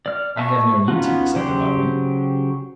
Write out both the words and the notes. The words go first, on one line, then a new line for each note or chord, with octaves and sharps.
"I have no need to," said the buckwheat.
D5 F6
E5 A5 C#6
B3 C#4 D#4 F4 F#4
C#3 F#3 G4 C5